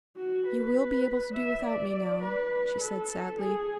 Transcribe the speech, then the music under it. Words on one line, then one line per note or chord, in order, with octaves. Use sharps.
"You will be able to do without me now," she said sadly.
F#4
B4
E5
D5
B4
A4
G#4